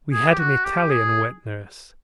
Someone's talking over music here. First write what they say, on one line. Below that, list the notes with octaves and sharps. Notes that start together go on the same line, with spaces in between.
We had an Italian wet-nurse.
G#4
G4
F#4
G4
G#4